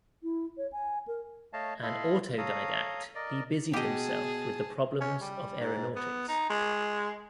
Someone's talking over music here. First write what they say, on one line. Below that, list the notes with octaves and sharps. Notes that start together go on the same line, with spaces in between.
An autodidact, he busied himself with the problems of aeronautics.
E4
C#5
G#5
A#4
A3 C#5 D#5 F5 A5
E4 A4 D#5 F5 B5 C6
A4 C#5 F5 A#5 D#6
A#4 D5 D#5
B2 G4 G#4 D#5 A5
C#4
G3
G#2
B3
D#4
G#3